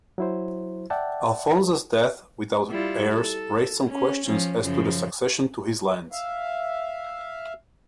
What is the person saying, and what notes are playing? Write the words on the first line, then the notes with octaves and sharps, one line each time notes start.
Alphonse's death without heirs raised some questions as to the succession to his lands.
F#3 E4 C5
D5 E5 F#5 G5 A5
G3 E4 F4
A4
C#4
F3 C#4
F#2 C#3 F3
E5 F5